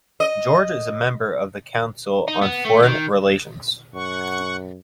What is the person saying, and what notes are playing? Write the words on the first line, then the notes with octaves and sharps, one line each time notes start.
George is a member of the Council on Foreign Relations.
D#5
D#4
B3
A3
D#3
F#2 F#5 C#6